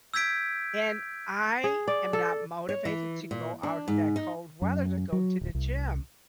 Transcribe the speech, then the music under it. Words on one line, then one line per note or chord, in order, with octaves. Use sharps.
and I am not motivated to go out in that cold weather to go to the gym.
E6 G6 G#6 B6 D7
G#4
D5
A4
C#5
E3
A#2
D4
G#2
D#4
F#2
F#3
D1
C2